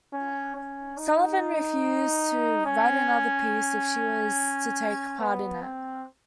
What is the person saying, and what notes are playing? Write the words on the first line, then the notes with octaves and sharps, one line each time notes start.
Sullivan refused to write another piece if she was to take part in it.
C#4
C#4
D#4
C#4
B3
C4